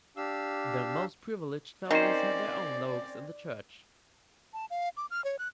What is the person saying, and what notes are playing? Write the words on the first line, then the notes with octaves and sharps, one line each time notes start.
The most privileged families had their own loges in the church.
D4 G4 F5 E6
D#3 C4 C#4 C5 D5
A5
F5
D6
F6
C#5
F#6